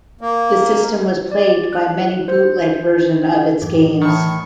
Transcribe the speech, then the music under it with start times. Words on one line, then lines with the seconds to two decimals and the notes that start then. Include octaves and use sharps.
The system was plagued by many bootleg versions of its games.
0.21 A#3
1.31 D5
1.73 F#6
2.28 C5
3.62 A1 F#2 D6
4.02 A2 D#3 E3 C#6